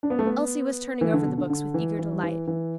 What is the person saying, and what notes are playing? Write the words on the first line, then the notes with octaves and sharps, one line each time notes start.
Elsie was turning over the books with eager delight.
D4
B3
A3
B3
E3
D3
B2
D3
D3
E3
E3
G3
E3
E3